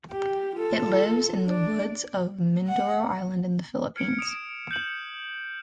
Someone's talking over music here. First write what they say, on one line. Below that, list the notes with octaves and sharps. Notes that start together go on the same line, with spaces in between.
It lives in the woods of Mindoro Island, in the Philippines.
G4
F4 A4
D4 D5
F#5
F6 G#6 C#7 D7
D#6 D7 E7
G6 C#7 F#7